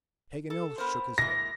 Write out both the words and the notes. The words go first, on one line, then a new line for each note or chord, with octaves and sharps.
Paganel shook his head.
A4
B3 A#4 C5
G#3 A#3 E4 A#6